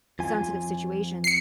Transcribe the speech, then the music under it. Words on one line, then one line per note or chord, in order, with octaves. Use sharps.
sensitive situations.
F2 F4 G#5
C7 C#7